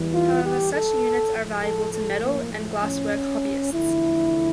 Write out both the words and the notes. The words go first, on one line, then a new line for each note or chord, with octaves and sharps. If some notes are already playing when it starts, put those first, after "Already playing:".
However, such units are valuable to metal and glasswork hobbyists.
Already playing: E2 E3 G3
F4
G4
A4
A2 F3 A3
A4
A4
A#3
A3
C#4
E2 D3 F3 A3 E4